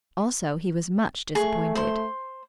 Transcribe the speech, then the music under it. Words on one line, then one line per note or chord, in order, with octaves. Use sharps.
Also, he was much disappointed.
A3 G#4 C#6
C5 C6